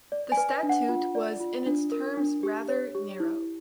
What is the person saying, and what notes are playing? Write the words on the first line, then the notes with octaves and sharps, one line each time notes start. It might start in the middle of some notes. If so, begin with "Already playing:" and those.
The statute was in its terms rather narrow.
D5
G#5
B4
D4
F#5
F4
D5
F4
D4
A#4
D4
G4
C#5
G4
E4